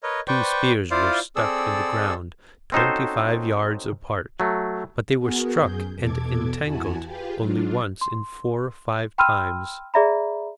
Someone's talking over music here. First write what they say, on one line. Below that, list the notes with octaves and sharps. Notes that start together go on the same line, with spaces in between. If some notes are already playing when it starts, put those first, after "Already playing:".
Two spears were stuck in the ground twenty-five yards apart, but they were struck and entangled only once in four or five times.
A#4 B4 C#5 D#5
B4 C5 D5 G5 C#6
E4 F4 C5 D5 F5
C4 G#4 A4 D5 E6
C4 C#4 D#4 F#4 A4 C5
F#3 A3
B3 F#4 G#4 A#4
F#2 G#4 G6
E2 B2 A4 D6 G#6
E2 E4 F#4 G#5 A5
F4 G4 G#4 B4 F5 G5
F#3 D4 F4
C6
G5 B5 C6 E6 F6 D#7
G#4 D5 E5 A#5 B5